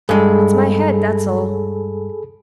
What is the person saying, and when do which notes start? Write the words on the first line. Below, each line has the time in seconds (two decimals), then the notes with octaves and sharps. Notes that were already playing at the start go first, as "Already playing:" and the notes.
It's my head, that's all.
0.09 G2 G#3 G#4 A4 B5